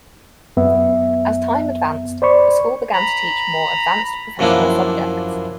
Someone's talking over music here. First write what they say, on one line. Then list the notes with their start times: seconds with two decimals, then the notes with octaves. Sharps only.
As time advanced, the school began to teach more advanced professional subjects.
0.57 F#2 B3 E5
2.22 C5 D5 B5 C#6
2.93 A#5 B5
4.39 F#2 F3 A#3 D4 E4